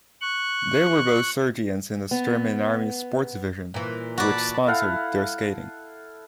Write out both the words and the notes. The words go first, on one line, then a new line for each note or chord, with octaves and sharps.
They were both sergeants in the German Army's sports division, which sponsored their skating.
C#6 F#6
B3
A#2 E3
F#4 D5 A5 B5
E4 A4 F5 F#5